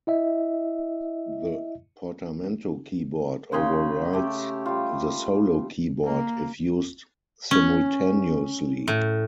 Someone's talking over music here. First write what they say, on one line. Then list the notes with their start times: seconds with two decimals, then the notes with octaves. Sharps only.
The Portamento keyboard overrides the solo keyboard if used simultaneously.
0.07 E4 D#5 E5
3.52 C#3 G#4 G5 C6
4.13 A3 G4
4.66 G3 F4
6.05 A#3
7.51 C#4
8.88 A2